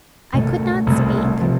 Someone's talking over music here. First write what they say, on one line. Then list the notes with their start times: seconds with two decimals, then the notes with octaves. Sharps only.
I could not speak.
0.33 C2 B2 A3
0.86 C2 B2 A3
1.41 C3 F3